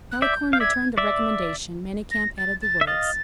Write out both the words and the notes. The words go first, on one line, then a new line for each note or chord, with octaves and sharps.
Malicorne returned the recommendation; Manicamp added the words.
F#6
D5 E5 G6
F5 G6
D5 E5 G#6
D5 E5
A#6
A6
A6
E5
D#5 F5 A6